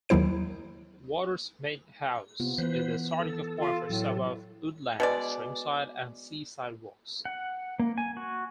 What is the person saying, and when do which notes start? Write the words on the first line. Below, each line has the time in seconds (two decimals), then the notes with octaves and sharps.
Watersmeet House is the starting-off point for some of woodland, streamside and seaside walks.
0.09 D#2 D#3 F#3 E4 C5 D7
2.40 C3 B3 F4
2.58 E3 B3 B4 C5
3.19 A4
3.60 F4
3.90 A2 F#3
5.00 B2 G#3 D5
7.25 F#5
7.79 A#3
7.98 G#5
8.17 F#4